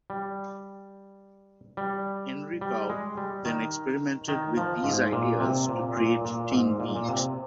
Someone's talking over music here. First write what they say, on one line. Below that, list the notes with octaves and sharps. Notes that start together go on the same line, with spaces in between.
Henry Cow then experimented with these ideas to create "Teenbeat".
G3
G3
G3
G#3
G3
D#3
D#3
F3
G#2
A#2
C3
A#2
A#2
A#2
G#2
A#2
A#2
C3